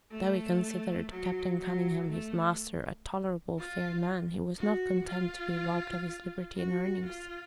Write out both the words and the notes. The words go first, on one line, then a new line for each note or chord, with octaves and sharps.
Though he considered Captain Cunningham, his master, a "tolerable fair man," he was not content to be robbed of his liberty and earnings.
A3
F#3
F#3
A3
F4
F#4
F4
F#4
F4